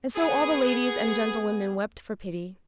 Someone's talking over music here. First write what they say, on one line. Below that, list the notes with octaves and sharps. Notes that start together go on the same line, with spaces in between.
And so all the ladies and gentlewomen wept for pity.
B3 G#4